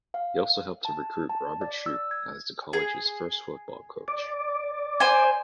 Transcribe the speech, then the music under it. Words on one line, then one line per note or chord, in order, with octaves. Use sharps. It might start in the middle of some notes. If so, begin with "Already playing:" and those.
He also helped to recruit Robert Shoup as the college’s first football coach.
F5
A5
A5
D5
E6
G#6
G#4
D5
C5 G#5